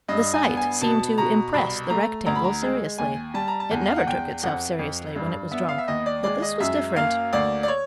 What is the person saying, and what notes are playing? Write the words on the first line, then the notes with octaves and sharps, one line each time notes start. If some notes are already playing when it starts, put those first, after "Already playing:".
The sight seemed to impress the Rectangle seriously. It never took itself seriously when it was drunk, but this was different.
G2 D#5
G#5
B3
G#5
B2 A5
B2 A#5
C2 B5
A3 A#5
D2 A#5
B5
A#5
G#3
D#2 G#5
G3 A5
A#5
A5
E2 G#5
F5
F#5
E2 G5
F2 F#5
F2
G2
B3 E5
F5
E5
D#2 D#5
D5
G#3 D5
D#5
F#2 E5
A#3 F5
D2 D5
D5
C#5